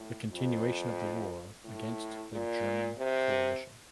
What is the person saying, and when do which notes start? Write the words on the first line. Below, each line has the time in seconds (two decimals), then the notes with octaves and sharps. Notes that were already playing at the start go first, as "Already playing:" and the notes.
The continuation of the war against the German coalition.
Already playing: A2
0.32 F2
1.65 A2
2.32 A#2
2.98 C3